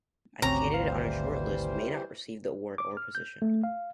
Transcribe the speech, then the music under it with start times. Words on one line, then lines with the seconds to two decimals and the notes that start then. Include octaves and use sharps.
A candidate on a short list may not receive the award or position.
0.42 G#1 D2 C3 C4 C#4 F#4 G4 A#5
0.74 E3 G3 C5 F5
2.78 D6
2.97 F6
3.15 G6
3.42 A3
3.64 F5